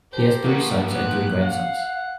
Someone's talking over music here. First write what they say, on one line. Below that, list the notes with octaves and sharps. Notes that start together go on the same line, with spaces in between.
He has three sons and three grandsons.
G4 A4 A#4 C5
F3 A#3 B3
B3 G4 F#6
F5 F#5